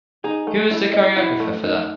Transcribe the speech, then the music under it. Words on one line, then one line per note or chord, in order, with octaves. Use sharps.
Who was the choreographer for that?
D#4 G#4
A3
E4
D#5
E4 F#4
A3
D#4